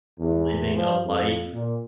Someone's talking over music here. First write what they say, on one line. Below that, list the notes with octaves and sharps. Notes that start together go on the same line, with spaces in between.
living a life
E2
F3
F2
A#2